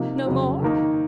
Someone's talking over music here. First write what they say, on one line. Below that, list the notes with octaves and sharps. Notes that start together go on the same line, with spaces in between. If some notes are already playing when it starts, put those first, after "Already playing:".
"No more?"
Already playing: C3 F3 A#3 D#4
F2 C#3 F#3
D#3 A#3 D#4